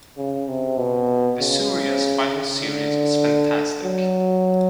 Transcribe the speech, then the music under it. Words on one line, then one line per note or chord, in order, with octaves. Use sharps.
Licuria's final series was fantastic.
C#3
C3
B2
C#3
D3
F#3